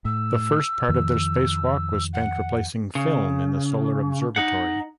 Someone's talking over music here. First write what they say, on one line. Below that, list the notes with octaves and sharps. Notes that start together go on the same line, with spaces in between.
The first part of their spacewalk was spent replacing film in the solar observatory.
A2 E6
F2 D#3 F3
F#5
C#3
D#4 F#5